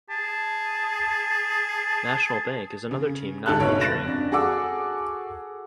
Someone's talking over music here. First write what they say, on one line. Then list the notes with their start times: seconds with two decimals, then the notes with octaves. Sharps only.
National Bank is another team not featuring.
0.10 G#4 A5
2.91 C#3
3.46 G1 D2 G#2 A4 A5 F#6
3.60 B1 F#2 C#3 B3 C#5 D7
3.81 F#6 A6 A#6 E7
4.05 F2 C#4 D4
4.32 F#4 G#4 A4 F#5 D6 E6